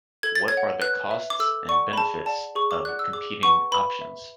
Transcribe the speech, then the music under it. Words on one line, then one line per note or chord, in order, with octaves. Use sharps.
What are the costs and benefits of competing options?
A4 G#6
A6
C#5 G#6
F#5
B4 F#6
E5
D6
A4 E6
D5 F#5 C#6
B5
G#4 A5
D5 F#5 A5
G#4 C#6
D6
D5 F#5 F#6
E6
G#4 D6
B4 F#5 C#6
B4 B5
E5